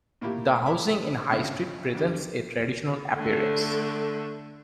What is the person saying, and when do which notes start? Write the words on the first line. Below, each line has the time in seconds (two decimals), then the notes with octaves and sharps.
The housing in High Street presents a traditional appearance.
0.21 A2 A#3 E4 F4 G4
0.55 A3
0.66 E4 C5 E5 B5 D6
1.32 G#1 G2 C#3 E5 F6
1.95 F2 D3 G4
3.17 D3 A3